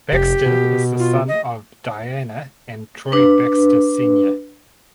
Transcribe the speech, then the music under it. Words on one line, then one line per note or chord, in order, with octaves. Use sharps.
Baxter is the son of Dianna and Troy Baxter Sr.
F1 G4
B2
F4
D#5
D4 B4